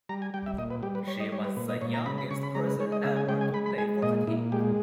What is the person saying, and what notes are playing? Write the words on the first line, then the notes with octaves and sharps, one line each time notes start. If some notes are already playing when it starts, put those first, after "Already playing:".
She was the youngest person ever to play for the team.
G3 A#5
G#5
G3 G5
E5
A#2 D#5
B4
G3 G4
B4
G3 C#5
D#5
G3 C#5
B4
A#2 B4
D#5
A#2 C#5
A#5
C#3 B5
B5
C#3 C#6
B5
G#3 A#5
B4
G#3 C#5
D#5
C#3 E5
G#5
G#3 G5
G#5
G#3 B5
B5
G#3 G#5
A#2 D#5
A#2 E4
G#3 G4